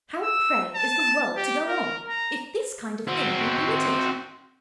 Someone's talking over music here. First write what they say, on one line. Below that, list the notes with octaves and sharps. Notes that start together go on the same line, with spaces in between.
How, pray, is the world to go on, if this kind of thing be permitted!
E6
A5
G4
A#4
A#5
C4 F#4